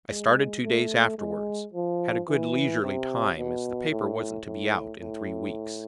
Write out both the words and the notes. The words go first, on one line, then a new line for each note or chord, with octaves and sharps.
I started two days afterwards; had a good leisurely time, as the paper wasn't to be out in three weeks.
G#3
A3
G#3
F3
E3
C3
B2
A2
A2
A2